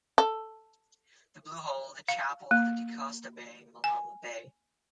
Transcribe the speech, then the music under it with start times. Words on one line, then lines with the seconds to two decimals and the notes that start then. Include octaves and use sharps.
The Blue Hole, the Chapel, the Decosta Bay, Malama bay.
0.18 A4
2.08 F5
2.51 A#3
3.84 G#5